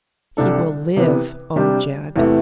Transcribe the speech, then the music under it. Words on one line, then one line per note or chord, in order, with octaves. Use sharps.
"He will live, O Jed."
C2 C3 G3 D4 A4
C3 E3 B3
C3 G3 D4 G4
E2 C3 E3 A3